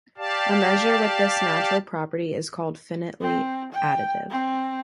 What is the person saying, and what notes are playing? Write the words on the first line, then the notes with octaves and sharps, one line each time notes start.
A measure with this natural property is called "finitely additive".
G4 D5 F5 A5
C4
G5
C4